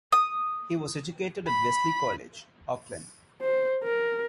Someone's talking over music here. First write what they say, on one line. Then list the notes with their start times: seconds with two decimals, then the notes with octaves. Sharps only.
He was educated at Wesley College, Auckland.
0.12 D#6
1.47 B5
3.41 C5
3.83 A#4